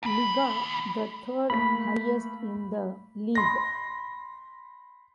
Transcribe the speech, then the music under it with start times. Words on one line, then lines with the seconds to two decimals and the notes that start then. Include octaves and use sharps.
Liga, the third-highest in the league.
0.03 D#2 B5
1.50 A3 A#3 B5 B6
3.35 B5 C6 A#6